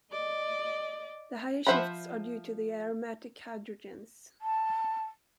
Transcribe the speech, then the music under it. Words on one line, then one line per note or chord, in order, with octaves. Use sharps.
The higher shifts are due to the aromatic hydrogens.
D5 D#5
F3 C5 E5 F#5 B5
A5